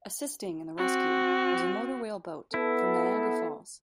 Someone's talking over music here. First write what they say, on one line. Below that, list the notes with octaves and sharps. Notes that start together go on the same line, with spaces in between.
Assisting in the rescue was a motor-whale boat from Niagara Falls.
C4 F#4
B3 E4 A4